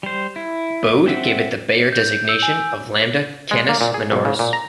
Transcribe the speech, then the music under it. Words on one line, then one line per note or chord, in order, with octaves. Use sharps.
Bode gave it the Bayer designation of Lambda Canis Minoris.
G3 C5
E4
C4 E5 F#5
G6
E6
G#5
G#3
A#3
A#2
G#4
B1
C#3
A#2
A#5